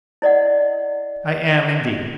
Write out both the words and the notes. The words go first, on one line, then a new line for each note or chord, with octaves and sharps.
I am, indeed.
E4 D5 D#5 F#5